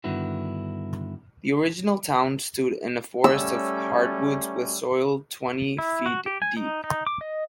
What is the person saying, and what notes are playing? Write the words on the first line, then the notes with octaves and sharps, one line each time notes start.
The original town stood in a forest of hardwoods with soil twenty feet deep.
G2 D3 D#3 B3 E4 F#4
G3 A3 C#4 E6
E4
F#4
G4
G#5
D#4
D#4
D6
D#5